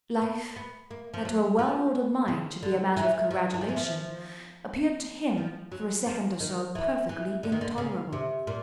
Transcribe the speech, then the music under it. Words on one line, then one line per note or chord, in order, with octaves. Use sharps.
Life, that to a well-ordered mind should be a matter of congratulation, appeared to him, for a second or so, perfectly intolerable.
B3
B3
A#3
F3
F#3
F3
C#3
D3
E3
F3
E3
F3
E3
F3
F3
F#3
F3
D#3
E3
E3
D3
D#3
D3
C#3
C3
A#2